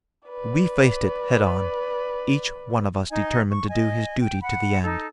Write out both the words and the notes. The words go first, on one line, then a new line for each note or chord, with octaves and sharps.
But we faced it head-on, each one of us determined to do his duty to the end.
B4 D5
D#4 D#5 G#5
C#6
D#5 G#5
G5
F#5 B5
D#4 A4